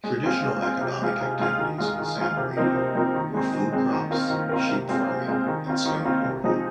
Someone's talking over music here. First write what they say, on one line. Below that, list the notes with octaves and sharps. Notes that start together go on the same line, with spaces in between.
Traditional economic activities in San Marino were food crops, sheep farming, and stone quarrying.
G#3
C4 F4
G#3
C4 F4
C3
G#3 F4
C3
G#3 F4
D#3
G#3 F4
D#3
G#3 F4
C3
F3 C4 D#4 A#4
C3
F3 C4 D#4 A#4
D#3
G#3 C4
D#3
G#3 C4
D#3
C4 F4 A#4
D#3
C4 F4 A#4
C3
G#3 C4 F4
C3
G#3 C4 F4
D#3
C4 F4
D#3
C4 F4
C3
F3 G#3 C4 D#4